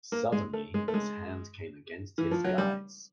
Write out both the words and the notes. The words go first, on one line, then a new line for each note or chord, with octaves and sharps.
Suddenly his hand came against his guide’s.
A#3
G#3
A3
G#3
A3
G#3
E3
F3
F#3
G3